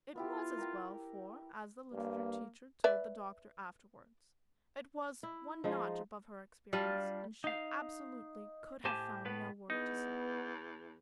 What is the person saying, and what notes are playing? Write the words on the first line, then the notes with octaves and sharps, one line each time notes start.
It was as well, for, as the literature teacher told the doctor afterward, it was one notch above her experience, and she absolutely could have found no word to say.
B3 E4 F4 G4
A#4 G5
G2 A#3
B4 D5 E5
E4
F3 G#3 D#4
G3 D4 F4
D#4 F5
A2 G4 C5 G#5 A5
A2 B3 B4
E2 B3 D#4